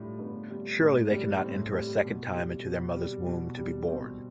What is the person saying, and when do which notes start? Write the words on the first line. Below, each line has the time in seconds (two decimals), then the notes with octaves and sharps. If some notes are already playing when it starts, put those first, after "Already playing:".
Surely they cannot enter a second time into their mother's womb to be born!
Already playing: A2 G3 D4 F4
0.19 A2 B3 D4
0.50 G3
0.80 A2
1.11 G3
1.42 A2 C4
1.73 G3
2.04 B2
2.34 G3
2.65 B2
2.96 G3
3.26 B2
3.57 G3
3.88 B2 C4